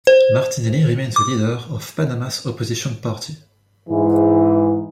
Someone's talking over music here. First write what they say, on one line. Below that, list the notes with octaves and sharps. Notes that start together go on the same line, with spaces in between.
Martinelli remains the leader of Panama's opposition party.
C5
D6
G#2 E3